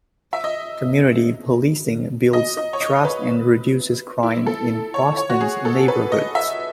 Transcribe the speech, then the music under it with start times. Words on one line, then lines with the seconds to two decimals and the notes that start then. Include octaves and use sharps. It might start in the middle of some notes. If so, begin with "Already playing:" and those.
Community policing builds trust and reduces crime in Boston's neighborhoods.
0.33 E5
0.44 D#5
2.33 D#5
2.57 D#5
2.73 C#5
2.81 D#5
3.05 B4
4.23 E4
4.46 A4
4.94 C#5
5.17 C#5
5.30 F#4
5.41 G#4
5.65 A4
5.88 B4
6.12 D#5
6.35 E5